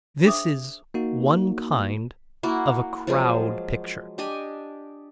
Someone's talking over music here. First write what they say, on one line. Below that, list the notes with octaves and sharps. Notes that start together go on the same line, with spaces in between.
This is one kind of a Crowd Picture.
D4 G#4 C5 E5 D6 D#6
A#3 D#4 F#4
A#3 E4 F#4
F3 F#3 G#3
D4 G4 D#5 G#5